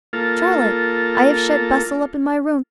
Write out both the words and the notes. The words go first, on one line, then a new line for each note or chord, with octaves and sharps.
'Charlotte, I have shut Bustle up in my room.
A#3 F4 A4